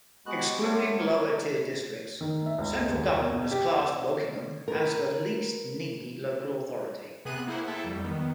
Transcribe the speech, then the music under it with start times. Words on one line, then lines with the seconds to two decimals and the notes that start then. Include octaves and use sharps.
Excluding lower-tier districts, Central Government has classified Wokingham as the least needy Local Authority.
0.26 G#3 B3 F#4 G4 F#6
0.64 A3 D4 C5 C#5 F#5
0.99 A#4 C#5 D6
2.21 D#3
2.46 E5
2.58 C#2
2.75 G#3
2.89 D#2
3.17 A#4
3.32 B2
3.51 G4
3.65 D6
4.68 A#4 B4
7.25 C3 B3 G#4 F#6 D#7
7.47 A#3 E4 G#4 C5 F#5
7.67 A#3 E4 A4 E5 G5
7.84 F2 F#3 G3
8.04 D#3 B3